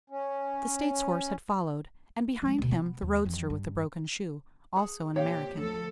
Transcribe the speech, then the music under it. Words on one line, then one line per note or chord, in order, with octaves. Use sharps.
The States horse had followed; and behind him, the roadster with the broken shoe-- also an American.
C#4
F3 G#3
D2 B2
B3
D#2
F2 E3
G2
G#4 F#5 A5
A#2 C4 G4 C#5 F5
D2 F3 A4